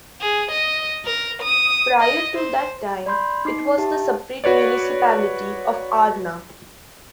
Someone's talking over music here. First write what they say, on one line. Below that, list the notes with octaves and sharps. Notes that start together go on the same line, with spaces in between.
Prior to that time, it was the separate municipality of Arna.
G#4
D#5
A#4
D#6
D#5
C5
D5 B5 C6 G6
D#4 D6 C7
G4 E5 A5
F#4 B4 C#5 D5